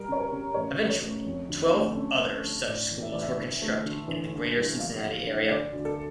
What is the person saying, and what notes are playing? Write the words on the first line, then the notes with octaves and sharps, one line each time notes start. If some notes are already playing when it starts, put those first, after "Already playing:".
Eventually, twelve other such schools were constructed in the Greater Cincinnati area.
Already playing: G3 A#4
C#3 C#5
A#4
C#3
A1 C#5
A3
C#5
A3
F2
D3
A3
C#4
C#4
G2
A2 D5
E3
E5
E3 D5
E5
D3
A3
D3
E3
G2
G3
F3 F5
A#3
D4
D3 D5
D2
A4